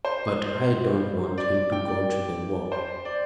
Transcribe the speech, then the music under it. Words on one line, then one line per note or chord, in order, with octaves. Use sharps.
But I don't want him to go to the war.
C5
D5
G5
D5
C5
D5